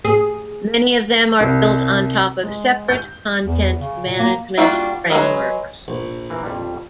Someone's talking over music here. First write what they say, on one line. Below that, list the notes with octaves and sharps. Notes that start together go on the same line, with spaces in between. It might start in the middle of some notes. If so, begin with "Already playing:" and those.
Many of them are built on top of separate content management frameworks.
G#4
C2
G#3
G6
E2
C#3
A#2
A#3
G3 A#3 D4 F4 F#4
F#3 G#3 A#4 B4 D#5
A#1
E3 A#3
F2 G3